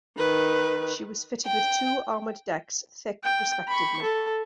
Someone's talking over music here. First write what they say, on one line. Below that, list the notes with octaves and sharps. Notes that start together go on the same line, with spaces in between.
She was fitted with two armoured decks, thick, respectively.
D#3 B4
G5
G5
B5 C#6
A4